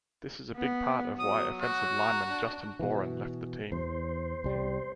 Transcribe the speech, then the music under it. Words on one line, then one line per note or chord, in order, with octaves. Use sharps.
This is a big part of why offensive lineman Justin Boren left the team.
B3
F#3 D#6
F#4
A#5
D4
B2 E3
E2 C5
C2 G3